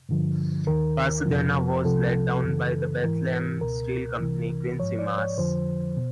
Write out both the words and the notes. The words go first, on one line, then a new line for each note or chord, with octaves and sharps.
"Pasadena" was laid down by the Bethlehem Steel Company, Quincy, Mass.
G2 D3 F3
D#2 D#3 A#4
F2 C3 F3
C2 C3 F3 A4
F#2 C#3 E3
G#2 E3 A#4
C#2 B2 A#4
C2 C3 E3
G#2 F3 C#5
D5
C#5
F2 D3 F3 C5
B2